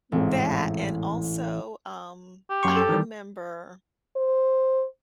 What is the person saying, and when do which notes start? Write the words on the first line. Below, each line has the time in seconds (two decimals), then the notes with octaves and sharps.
That and also, um, I remember,
0.12 A1 F2 G#2
2.50 G4
2.63 F#2 C6 C#6
2.76 A4
2.89 D#3 E3 G3
4.16 C5